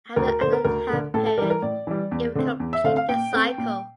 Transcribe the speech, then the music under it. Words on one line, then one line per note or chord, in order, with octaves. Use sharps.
After another half period, it would complete the cycle.
D2 A#4
A#4
D3 A3 C5
A#4
D2 A#4
D3 A3
A2 A4
A4
E3 G3 A#4
A#4
A2 D5
E3 G3
E2
D3 A3 C4
E2
E5
D3 A3 C4 F5
F5
A#2 G5
A3 C4
A#2